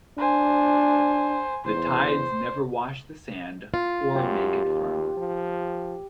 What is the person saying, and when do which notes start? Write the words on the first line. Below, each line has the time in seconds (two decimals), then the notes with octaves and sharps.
The tides never wash the sand or make it firm.
0.18 D4 C5 G#5
1.65 E2 C5
3.74 F4
4.15 F#2 G4
4.65 D#2
5.17 F3